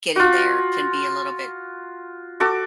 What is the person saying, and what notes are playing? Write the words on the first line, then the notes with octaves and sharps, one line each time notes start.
getting there can be a little bit
F4 F#4
F#4 A4 D6